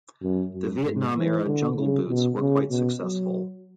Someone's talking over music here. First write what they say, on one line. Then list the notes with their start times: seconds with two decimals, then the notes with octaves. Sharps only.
The Vietnam-era Jungle Boots were quite successful.
0.22 F#2
0.53 F#2
0.84 G#2
1.16 E3
1.46 D3
1.77 C#3
2.08 B2
2.39 C#3
2.70 B2
3.01 F#3